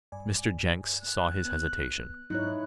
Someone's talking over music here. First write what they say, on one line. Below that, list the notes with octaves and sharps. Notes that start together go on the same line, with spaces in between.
Mr. Jenks saw his hesitation.
G2 D5 G#5
F#6
B3
G#2 F#3 D#4 E4 C#5 F#6